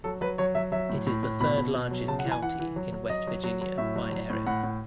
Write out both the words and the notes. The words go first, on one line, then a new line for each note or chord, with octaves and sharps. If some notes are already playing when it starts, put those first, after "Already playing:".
It is the third-largest county in West Virginia by area.
F#3 A4
F#3 B4
F#3 C#5
F#3 E5
F#3 E5
A2
A2
A2
B2 B5
B2
B2
F#3
C#3 A5
F#5
E3
G#5
E3 F#5
E3
F#3
F#3
F#3 D#5
F#3
F#3
F#3
A2 E5
F#3
F#3
A2
A2 F#5
A2